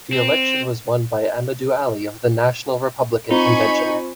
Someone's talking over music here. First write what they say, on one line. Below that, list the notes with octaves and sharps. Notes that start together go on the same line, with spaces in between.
The election was won by Ahmadu Ali of the National Republican Convention.
C4
C4 D#4 F4 C5 G#5 B5 C#6